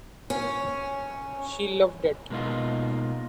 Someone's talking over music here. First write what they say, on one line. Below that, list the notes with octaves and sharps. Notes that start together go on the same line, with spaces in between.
She loved that.
C#4
B2 G#3 A#3 D#4 F4